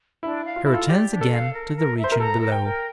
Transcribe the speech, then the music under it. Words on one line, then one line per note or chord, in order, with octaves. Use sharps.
He returns again to the region below.
D4 E4
F5
F4
E4 A4
F4
G4 D5
D4
A4
F5
A#4
A#4
E5
C5
A#4
A4 A#5
A#4
G5
A#4